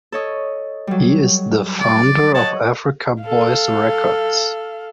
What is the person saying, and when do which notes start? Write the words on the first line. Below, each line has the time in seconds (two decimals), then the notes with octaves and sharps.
He is the founder of Africa boyz records.
0.12 A4 C#5 D#5
0.87 F#3 G3
1.80 D5
2.34 C#5 D#5 F#5 A5
3.23 A4 F5